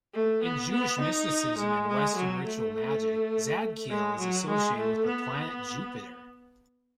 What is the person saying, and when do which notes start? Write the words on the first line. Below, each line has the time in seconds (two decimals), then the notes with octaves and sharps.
In Jewish mysticism and Western ritual magic, Zadkiel is associated with the planet Jupiter.
0.14 A3
0.43 B3
0.71 B3
1.00 D#4
1.58 G#3
1.87 G#3
2.16 F#3
2.45 A3
3.90 G#3
4.19 F#3
4.48 G#3
4.77 A3
5.06 B3